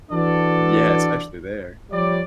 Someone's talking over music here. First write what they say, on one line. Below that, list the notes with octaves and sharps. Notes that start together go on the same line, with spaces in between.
Yeah, especially there.
E3 D4 F#4 A4 D5
F3 G3 C#5 D5